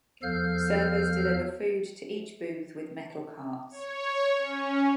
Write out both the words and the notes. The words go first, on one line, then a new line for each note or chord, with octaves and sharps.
Servers deliver food to each booth with metal carts.
E2 F3 A4 F5 F6 G6
C#5
C#4